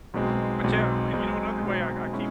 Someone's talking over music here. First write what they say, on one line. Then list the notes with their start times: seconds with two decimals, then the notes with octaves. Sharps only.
But, yeah, I mean, you know, another way I I keep
0.14 B1 B2 G#3 C4
0.64 B1 B2 G#3 C4
1.13 B1 B2 G#3 C4
1.63 B1 B2 G#3 C4
2.13 B2 G#3 C#4 E4